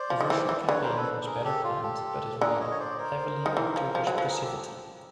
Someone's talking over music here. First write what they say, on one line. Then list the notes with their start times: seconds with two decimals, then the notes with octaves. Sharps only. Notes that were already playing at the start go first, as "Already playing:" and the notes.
The Russian campaign was better planned, but it relied heavily on Turkish passivity.
Already playing: C5 D5
0.10 F3
0.21 D#3
0.30 E3
0.49 E3
0.68 D3 B4 C#5
0.82 A#4 C5
0.96 A4 B4
1.26 G#4 A#4
1.44 G4 A4
1.64 F4
1.83 G4 A4
2.41 D3 G#4 A#4
2.60 C#5 D#5
2.71 C#5
2.80 C5 D5
2.98 A#4 C5
3.46 D#3
3.57 E3
3.76 F3
3.95 F3
4.07 F#3
4.14 F3 A4 B4
4.29 G#4 A#4
4.43 G4 A4